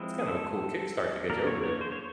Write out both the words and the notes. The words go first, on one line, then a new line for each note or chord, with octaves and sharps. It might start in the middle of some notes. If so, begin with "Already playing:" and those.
that's kind of a cool kick start to get you over there.
Already playing: F3 G#3 C4 E4
G#4
A4
F#3 A#3 D4 A#4
C#5
C#5
C5
C#5